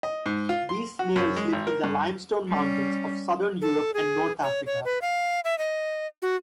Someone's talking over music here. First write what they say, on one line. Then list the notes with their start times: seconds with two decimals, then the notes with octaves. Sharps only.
These snails live in the limestone mountains of southern Europe and North Africa.
0.03 D#5
0.26 G#2
0.49 F4
0.69 C6
0.99 F#4
1.16 F#2
1.37 G#3
1.53 G#1
1.67 A#4
1.84 G2
2.48 G3 C#4
3.62 A4
3.94 G#4
4.42 C#5
4.66 C#5
4.85 B4
5.02 F5
5.44 E5
5.58 D#5
6.22 F#4